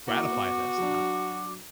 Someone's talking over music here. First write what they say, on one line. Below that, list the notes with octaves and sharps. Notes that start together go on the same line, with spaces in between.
gratify it as that?
A#3 E4 F#4 D6
B3
F#3 D4